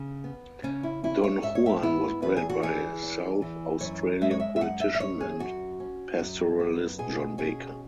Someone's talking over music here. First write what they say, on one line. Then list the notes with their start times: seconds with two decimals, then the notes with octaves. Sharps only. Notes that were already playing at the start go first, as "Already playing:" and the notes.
Don Juan was bred by South Australian politician and pastoralist John Baker.
Already playing: C#3
0.24 B3
0.63 C#3 C#4
0.83 E4
1.03 C#4 E4
1.24 C#5
1.43 G#2 E5
1.55 C#5
1.66 E5
1.83 B3 E4
2.22 E2 B4
2.36 G#4
2.49 F#4
2.62 E3 G#4
3.02 E2
3.42 E3
3.81 F#2 C#5
4.21 G#3 E5
4.31 C#5
4.40 E5
4.56 E5
4.61 F#2 F#5
4.80 E5
4.95 E5
5.00 C#4 C#5
5.21 G#4
5.39 F#2 F#4
5.80 C#4
6.19 F#2
6.60 B3
6.98 B2 G#4
7.38 C#4 G#4